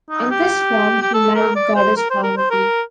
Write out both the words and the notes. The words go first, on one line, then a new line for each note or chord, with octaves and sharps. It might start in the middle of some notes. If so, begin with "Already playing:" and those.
In this form he married goddess Parvati.
D#4
G4
G4
A4
A#4
D5
C5
A#4
C5
A#4
C5
A#4